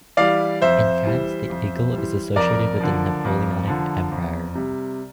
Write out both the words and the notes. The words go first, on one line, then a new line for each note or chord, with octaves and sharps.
In France, the eagle is associated with the Napoleonic empire.
E3 G3 D5 F5
F2 C5 E5
E3 G3
F2
E3 G3
F2 A#4 D5
D3 F3
F2
D3 F3
F2
C3 G3